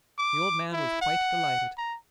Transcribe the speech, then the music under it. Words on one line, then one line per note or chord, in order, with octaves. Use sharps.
The old man was quite delighted.
D6
E4
F#5
A#5